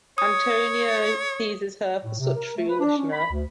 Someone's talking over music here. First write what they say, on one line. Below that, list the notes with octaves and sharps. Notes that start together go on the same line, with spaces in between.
Antonio teases her for such foolishness.
C#5 D#6
A2
C3
A#4
A3
B4
D4
C#4
B5
D2